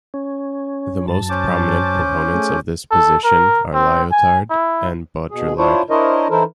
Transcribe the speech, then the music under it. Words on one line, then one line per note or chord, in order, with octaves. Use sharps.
The most prominent proponents of this position are Lyotard and Baudrillard.
C#4
F#2 A5
C#4 C5 D6
A3 G#4
A4
A#4
C4
G#5
E4
B2 G#4
D4 E4 F4 C5 C#5
D4 E4 A#4 C5 C#5 D#5
E3 D#4 E4 A4 A#4 C5